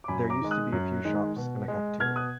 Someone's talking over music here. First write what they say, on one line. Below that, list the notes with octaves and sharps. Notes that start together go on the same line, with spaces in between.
There used to be a few shops and a cafeteria.
D6
F#2 G#5 B5
A#5 D6
D#3 G#3
D#6 F#6
F#2
D#3 G#3
B2
G#3
B2 F6 G#6
D#6 F#6